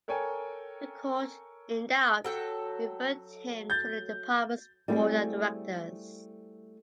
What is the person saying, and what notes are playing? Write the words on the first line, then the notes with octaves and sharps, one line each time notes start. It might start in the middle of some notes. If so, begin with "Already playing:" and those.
The court, in doubt, referred him to the Department's Board of Directors.
A4 A#4 C#5 G5 G#5
F#3 A4 G5
G6 A6
G3 A3 C4 E4 F#4 G#4